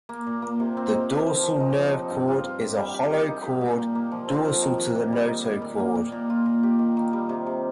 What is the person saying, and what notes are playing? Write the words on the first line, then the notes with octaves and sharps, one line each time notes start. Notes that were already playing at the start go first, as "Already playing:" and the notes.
The dorsal nerve cord is a hollow cord dorsal to the notochord.
A#3
A#2
A#3
C3
C4
D#4
G4
F3
F3
D#4
F3
D#4
G2
F4
F4
G4
G3
G4
G4
D#4
G4
A#2
A#2
A#3
F3
C4
F3
D#3
D#3
A#3
G3
D#4
G3
A#2
A#3
A#2
A#2
F4
A#2
G4
D#3
D#3
G3
C3
C3